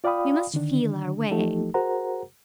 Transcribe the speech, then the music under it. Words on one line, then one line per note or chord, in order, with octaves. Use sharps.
We must feel our way.
F4 D5 F5 G5 B5 D#6
D3 D#3 D4
E3 F3 A3 D#4 G4 A4
F#4 G#4 A#4 C5 F#5 A#5